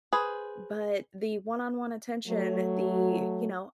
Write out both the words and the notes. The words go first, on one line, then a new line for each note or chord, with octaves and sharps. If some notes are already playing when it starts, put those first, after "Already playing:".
But the one-on-one attention, the, you know
G#4 B4 C5
F#3 A3